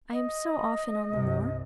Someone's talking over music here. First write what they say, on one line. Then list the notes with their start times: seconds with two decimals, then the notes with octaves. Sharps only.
I am so often on the moor.
0.12 D#5
1.13 C2 G2 C3